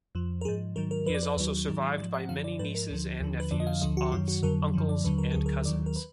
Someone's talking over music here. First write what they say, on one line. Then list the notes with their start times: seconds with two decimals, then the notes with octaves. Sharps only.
He is also survived by many nieces and nephews, aunts, uncles and cousins.
0.15 F2 F3
0.41 A#4
0.45 G#2 F3 G#4
0.76 G#2 D#3 F#3 A#4
0.91 A#4
1.06 F2 F3 B4
1.15 D5
1.23 B4
1.37 D#2 D#3 F#3
1.68 G#2 D#3 F#3
1.98 G#2 D5
2.02 F3
2.14 F#5
2.29 F#2 D3 F3 F5
2.44 D5
2.59 G#2 F3 B4
2.75 A#4
2.90 D2 D3 F3
3.21 D#2 D3 F3
3.40 B4
3.51 F2 D3 F3 D5
3.60 D#5
3.67 F5
3.81 D2 D3 F3 D#5
3.97 F#4
4.12 F#2 D#3 F#3 F4
4.28 F#4
4.43 F2 D3 F#3 A#4
4.74 F#2 D3 F3
4.89 D5
5.04 D#2 D3 F#3 B4
5.18 A#4
5.32 D2 D3 F#3 G#4
5.46 A#4
5.65 D#2 D#3 F#3 D5
5.86 A#4
5.96 B4